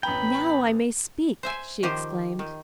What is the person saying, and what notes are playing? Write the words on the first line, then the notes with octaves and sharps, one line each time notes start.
"Now I may speak!" she exclaimed.
A1 B3 G5 A#5 B5
C5 E5 G#5
D#3 F3 G4 C5
D#3